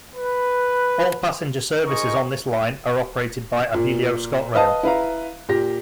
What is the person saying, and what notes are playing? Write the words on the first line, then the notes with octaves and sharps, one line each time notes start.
All passenger services on this Line are operated by Abellio ScotRail.
B4
D#4 G#4 A#4 C5 D#5 C#6
A#2
B4 D#5 F5 A5 D#6
E4 B4 F5 A#5
A#2 G4 A#6